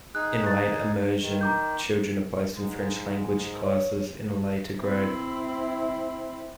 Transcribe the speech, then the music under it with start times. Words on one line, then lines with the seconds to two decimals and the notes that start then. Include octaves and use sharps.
In "late immersion", children are placed in French-language classes in a later grade.
0.15 D#4 G#4 F#6
0.43 F#6 A6
1.22 D#3
1.41 A#5 D6 G6
2.55 G#2 G#3
3.65 C#5
4.82 C4 E4